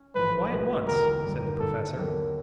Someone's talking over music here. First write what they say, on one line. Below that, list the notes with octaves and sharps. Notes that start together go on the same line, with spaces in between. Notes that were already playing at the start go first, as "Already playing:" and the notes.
"Why at once?" said the Professor.
Already playing: C#4
A1 G#2 F3 G#3 B4
B1 B2 G#3
E1 D#2 D3 A#4
F#2 D#3 G3 A#3 D#4
G1 G2 D3 A4
D#2 D#3 F#3 B3